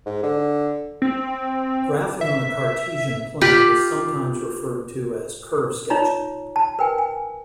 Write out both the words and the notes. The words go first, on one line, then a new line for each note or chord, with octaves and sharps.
Graphing on a Cartesian plane is sometimes referred to as "curve sketching".
G#2
D3
C4
E5
F4 G4 B5
D#4 F4 C#5 A#5
A5
A#4 B4 G5 G#5
G#5